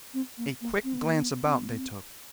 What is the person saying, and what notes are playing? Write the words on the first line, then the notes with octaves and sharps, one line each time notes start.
A quick glance about they took.
C4
A#3
A#3
C4
B3
A#3
B3
C4
B3
B3
C4